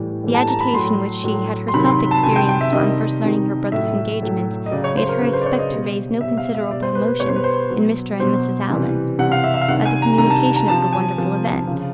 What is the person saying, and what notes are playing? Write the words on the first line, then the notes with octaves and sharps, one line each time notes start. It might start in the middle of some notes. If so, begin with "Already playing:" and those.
The agitation which she had herself experienced on first learning her brother's engagement made her expect to raise no inconsiderable emotion in Mr. and Mrs. Allen, by the communication of the wonderful event.
Already playing: A2 E3 G3
A2 E3 G3
A5
A#5
B5
A2 F#3 C6
A2 F#3
C6
C3 D#3 F#3 B5
C6
B5
A5
C3 D#3 F#3 G#5
G5
G5
E5
C3 D#3 G3 D#5
C3 D#3 G3
A2 F#3 E5
A2 F#3
D#5
C#3 F#3 D5
C#5
C5
A#4
C#3 F#3 B4
C5
D5
C#5
D#5
B2 G3
B2 G3 E5
F5
E5
B2 G3 D5
C5
B4
B4
B2 G3 C#5
C5
B4
C5
B2 F#3
B2 F#3 C5
C3 E3 G3
C3 E3 G3 F#5
F5
E5
E5
F5
C3 D#3 G3 F#5
G#5
A#5
C3 D#3 G3 A#5
A5
A#5
C3 F3 A5
G#5
C3 F3
C#3 F3